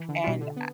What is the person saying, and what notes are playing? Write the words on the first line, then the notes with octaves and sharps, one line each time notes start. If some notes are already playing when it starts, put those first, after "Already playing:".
and, uh
Already playing: E3
D3
B2 G3 D4 F4
D3
B3